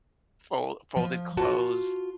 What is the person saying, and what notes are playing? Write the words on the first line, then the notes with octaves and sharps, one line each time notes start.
fol folded clothes
F3
F4 F#4 A5